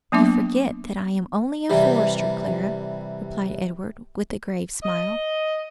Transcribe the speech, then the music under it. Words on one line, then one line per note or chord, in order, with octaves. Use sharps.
"You forget that I am only a forester, Clara," replied Edward, with a grave smile.
F#3 A#3 B3 D4 E5 D6
C3 E3 G3
D#5